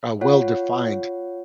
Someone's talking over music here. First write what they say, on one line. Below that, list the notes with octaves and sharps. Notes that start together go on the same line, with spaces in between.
uh, well-defined,
F4 C#5 F#5